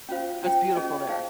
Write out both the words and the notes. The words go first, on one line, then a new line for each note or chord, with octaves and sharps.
It's beautiful there.
C#4 F4 C5 F5
C#4 F4 C5 G5
C#4 G#4 C5 D#5
D#4 G#4 C5 F5